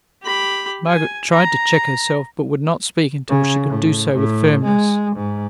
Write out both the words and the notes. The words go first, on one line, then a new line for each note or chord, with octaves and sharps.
Margaret tried to check herself, but would not speak until she could do so with firmness.
G4 B5
G#5
A#5
C#3
A2
A2
G#3
G#2